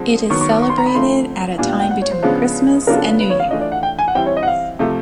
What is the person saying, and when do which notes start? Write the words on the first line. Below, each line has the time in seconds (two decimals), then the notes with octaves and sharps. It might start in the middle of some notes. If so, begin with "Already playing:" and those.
It is celebrated at a time between Christmas and New Year.
Already playing: D3 F3 G#3 C4
0.30 D#3 F#3 B3 C#6
0.41 C#6
0.51 D6
0.62 C#6
0.70 C6
0.78 A#5
0.86 B5
0.95 D3 F3 A3 C4 C6
1.58 A#2 G3 B3 D4 F4 G#5
1.69 G5
1.80 G5
1.91 F#5
2.02 C#5
2.11 C5
2.22 C#3 F3 G#3 B3 D4
2.87 C#3 F#3 B3 D4 F4 A#4
2.97 A4
3.19 B4
3.30 C#5
3.40 F5
3.51 E3 A3 D4 F4 D#5
3.61 D5
3.72 F#5
3.83 G5
3.99 G#5
4.08 F#5
4.15 E3 G3 C4 E4 G5
4.26 C#5
4.37 D#5
4.43 F#5
4.47 F5
4.79 C3 F3 A3